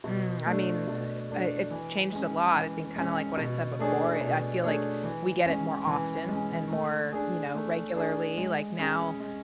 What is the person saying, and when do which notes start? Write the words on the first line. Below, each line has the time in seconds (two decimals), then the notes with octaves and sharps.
Mm, I mean, uh, uh, it's changed a lot, I think kinda like what I said before, eh, I feel like we get it more often and more, you know, regularly. Like now,
0.04 B2
0.46 A3 D4
0.87 B2
1.29 A3 D4
1.71 E3
2.12 G#3 C#4
2.54 E3
2.96 G#3 C#4
3.37 B2
3.79 A3 D4 G#4 C#5
4.21 B2
4.62 A3 D4 G#4 C#5
5.04 E3
5.46 G#3 C#4
5.87 E3
6.29 G#3 C#4
6.71 A3
7.12 D4 G#4
7.54 A3
7.96 D4 G#4
8.38 G#3
8.79 C#4 G#4
9.20 G#3